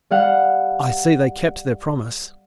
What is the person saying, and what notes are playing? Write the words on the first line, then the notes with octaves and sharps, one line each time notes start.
"I see they kept their promise."
G3 F5 F#5